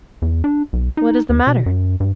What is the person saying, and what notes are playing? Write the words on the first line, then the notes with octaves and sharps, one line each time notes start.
'What is the matter?'
E2
D4
B1
D#4
D#2
B2
F#2
G2